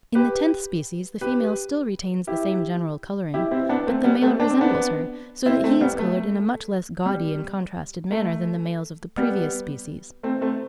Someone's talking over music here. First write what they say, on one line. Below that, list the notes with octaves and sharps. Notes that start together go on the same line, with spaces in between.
In the tenth species the female still retains the same general colouring, but the male resembles her, so that he is coloured in a much less gaudy and contrasted manner than the males of the previous species.
G4 B4
G4 B4
E4 G4
E4 G4
C4 E4
B3 D4
A3 C4
G3 B3
A3 C4
D4
C4
B3 D4
C4 E4
A3 C4
G3 B3
A3
G3
A3
G3 B3
A3 C4
A3 C4